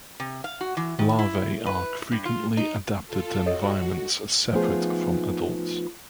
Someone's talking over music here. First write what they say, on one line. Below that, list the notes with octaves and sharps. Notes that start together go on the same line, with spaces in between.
Larvae are frequently adapted to environments separate from adults.
C3
F5
F#4
E3
D#3
E4
B4
G2
F4
D#4
F4 A4
F#4 A4 C#5 D#5
F3 A3 B3 D#4 F4 G#4